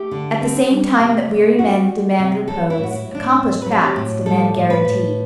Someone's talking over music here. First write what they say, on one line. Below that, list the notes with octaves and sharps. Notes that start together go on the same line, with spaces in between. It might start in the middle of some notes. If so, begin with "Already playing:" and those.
At the same time that weary men demand repose, accomplished facts demand guarantees.
Already playing: A3 G4
D3
C4
G3
C3
C3
C4 F#4
G3
C3
F#3 A4
E4
A2
F#4
E4
A2
D4
C4
B4
F#3
A4
G4
A2
G3 A4
A2
B4
A2